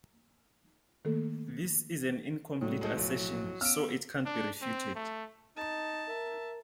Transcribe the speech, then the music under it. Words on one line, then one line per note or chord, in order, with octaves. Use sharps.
This is an incomplete assertion, so it can't be refuted.
D#3 A3 A#3 A4
A2 F#3 G3
G#3 D#4 A4
B1 F3
B3 C#4 F5 E6 F6 D7
D4
C4
A3
D#4 A5
A#4 E5